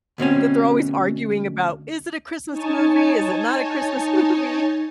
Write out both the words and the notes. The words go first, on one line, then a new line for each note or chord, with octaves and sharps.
that they're always arguing about, "Is it a Christmas movie? Is it not a Christmas movie?"
D2 B2 C4 C#4
D#4 C#5 G#5 A5